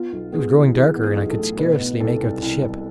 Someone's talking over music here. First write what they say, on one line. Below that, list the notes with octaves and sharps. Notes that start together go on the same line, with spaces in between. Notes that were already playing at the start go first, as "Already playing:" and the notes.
It was growing darker, and I could scarcely make out the ship.
Already playing: B3 F4
B1
B3 G#4
E3
E3 G#4
B3
G#4
B1
A4
A2
B2 B4
B3
C2 A4
C2
C2
C2